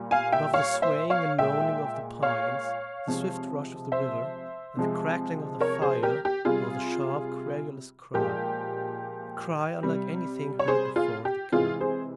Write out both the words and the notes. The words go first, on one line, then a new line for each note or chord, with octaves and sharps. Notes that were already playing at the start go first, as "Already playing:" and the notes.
Above the swaying and moaning of the pines, the swift rush of the river, and the crackling of the fire rose a sharp, querulous cry,--a cry unlike anything heard before in the camp.
Already playing: A#2 G3
F5 G#5
E5 G5
C#5 F5
C5 E5
C#5 F5
A#2 G#3 E5 G5
C#5 F5
C3 F3 G#3
C5 E5
C3 F3 G#3
A#4 C#5
G#4 C5
G4 A#4
G4
C3 G3 F4 G#4
A#2 F3 G#3 G4 A#4
C3 G3
C#5
G#4 C5
F4 G#4
G4
C3 E3 G#3 F4 G#4
G#4 C5